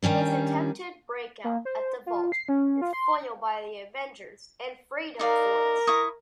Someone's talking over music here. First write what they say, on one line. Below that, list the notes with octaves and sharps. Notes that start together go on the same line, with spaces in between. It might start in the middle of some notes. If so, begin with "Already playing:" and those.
His attempted breakout at the Vault is foiled by the Avengers and Freedom Force.
D#3 G3 C#4 D4
A#3
C5
F4
C7
C#4
F4
C6
D#4 A#4 D5 F5
E4 C#6 D#6